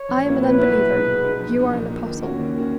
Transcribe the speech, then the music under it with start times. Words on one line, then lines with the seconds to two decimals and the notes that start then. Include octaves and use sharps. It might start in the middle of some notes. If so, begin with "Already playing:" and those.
I am an unbeliever: you are an apostle!
Already playing: C#5
0.09 A#1
0.25 A#2 F#3 B3 E4
0.42 A#1 B4
0.58 A#2 F#3 B3 E4
0.74 B2
0.92 G#3 D#4
1.07 B2
1.24 G#3 D#4
1.40 A#1
1.57 A#2 A#3 D#4
1.73 A#1
1.90 A#2 A#3 D#4
2.06 D#2
2.22 D#3 A#3 C#4 F#4
2.39 D#2
2.56 D#3 A#3 C#4 F#4